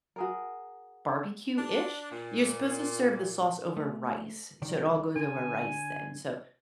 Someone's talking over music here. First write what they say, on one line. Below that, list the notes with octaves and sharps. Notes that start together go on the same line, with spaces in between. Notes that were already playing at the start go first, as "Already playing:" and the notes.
barbecue-ish? You're supposed to serve the sauce over rice, so it all goes over rice then. So
F#4 G#4 A#4
D4
A#2
A3
C2 D#3 D5
D3 G#5